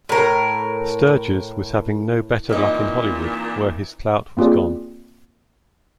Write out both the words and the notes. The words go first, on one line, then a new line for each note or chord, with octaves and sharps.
Sturges was having no better luck in Hollywood, where his clout was gone.
A2 A#4
A#2 E3 C4 D#4
A#3 C4 F4 G4 G#4 D5